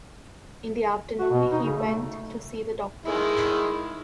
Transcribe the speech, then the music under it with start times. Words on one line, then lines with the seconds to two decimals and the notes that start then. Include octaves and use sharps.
In the afternoon he went to see the doctor.
1.19 F#4
1.31 B2
1.52 D#4
1.64 C#3
1.78 A3
3.06 D#3 G#3 E4